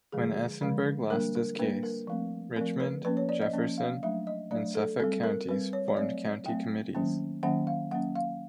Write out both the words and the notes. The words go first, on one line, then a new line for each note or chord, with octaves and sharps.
When Essenberg lost this case, Richmond, Jefferson, and Suffolk Counties formed county committees.
D3 F3 G#3 G#4
D3 F3 G#3
G3 A#3 D4 A#4
A#4
G3 A#3 D4 B4
A#4
F3 A3 C4
F3 A3 C4 A#4
B4
F3 A#3 C#4 B4
C#5
D5
D#5
F3 A#3 C#4
F5
F#3 A3 D4 E5
D#5
F#3 A3 D4 D5
A4
G3 C4 A4
A#4
G3 C4 B4
C#5
C#5
F#3 A3 C4 D5
F#3 A3 C4 G5
D#3 F#3 A#3 C#4
D#3 F#3 A#3 C#4 F#5
F5
F#3 A#3 C#4 F#5
F5